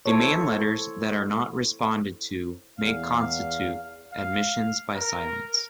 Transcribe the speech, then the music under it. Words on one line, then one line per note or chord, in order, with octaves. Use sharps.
Demand letters that are not responded to may constitute admissions by silence.
E4 A4 C5 C#5
E2 F5
F5
A#4